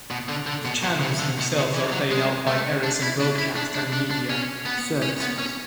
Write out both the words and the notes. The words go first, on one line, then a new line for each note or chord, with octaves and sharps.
The channels themselves are played out by Ericsson Broadcast and Media Services.
B2
D3
D3
B2
B2
C#3
D3
B2
C#3
E3
F#3
G#3
A3
D4
E4
D4
E4
D4
D4
D4
D4
C#4
B3
C#4
B3
C#4